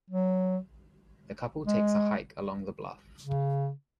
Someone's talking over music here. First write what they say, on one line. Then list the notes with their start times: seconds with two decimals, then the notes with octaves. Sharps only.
The couple takes a hike along the bluff.
0.10 F#3
1.67 G#3
3.24 C#3